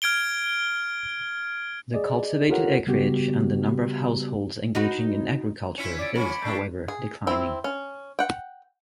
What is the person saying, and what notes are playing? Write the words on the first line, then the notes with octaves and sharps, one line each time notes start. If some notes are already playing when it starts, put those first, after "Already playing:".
The cultivated acreage and the number of households engaging in agriculture is however declining.
F6 G#6 D7 G7
G#4 D5 D#5
F4 G4 A4 A#4 C#5 F#5
C#3 G3 B3 F#4 G4
D#4 F#4 B4
C#4 E4 F4 B6 C#7
D5 D6 G#6 D7
F3 C#4 B5
A3 D4 G6 C7
G#4
C4 E4
C#4
F#5 G5